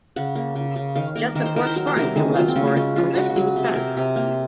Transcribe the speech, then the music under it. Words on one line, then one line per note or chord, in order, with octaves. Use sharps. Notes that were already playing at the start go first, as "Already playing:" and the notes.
Josep was born in Les Corts and lived in Sants.
C#3 F#5
A#3
C#3
C#3
D#3 F5
A#3 A#4
D#3 A#4
C5
D#3 A#4
C5
F#3 A#4
C5
C3 A#4
D#3 G#4
F#3 F4
C4
C#3 C#4
G#3 C#4
C#3 F4
G#3 F#4
F#4
F#3 G#4
C3
C3 A#4
C3
A#3